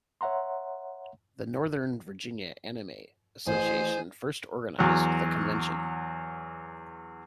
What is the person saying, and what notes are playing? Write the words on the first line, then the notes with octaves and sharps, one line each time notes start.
The Northern Virginia Anime Association first organized the convention.
C#5 E5 F#5 A#5 C6
A1 G#4 C5
E2 F#3